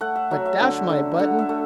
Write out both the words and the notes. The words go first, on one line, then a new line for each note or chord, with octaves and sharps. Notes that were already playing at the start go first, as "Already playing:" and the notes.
But dash my buttons!
A3 F#5
E5
F#3 E5
E5
D3
D3
D3 F#5
E5
A3